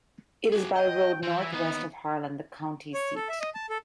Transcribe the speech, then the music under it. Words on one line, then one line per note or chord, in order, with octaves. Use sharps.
It is by road northwest of Harlan, the county seat.
F#4 G#4
D#5 G5
E3 C5
E4
D#2 B3 D#4
C#5
A4
E5
D#5
A5
A4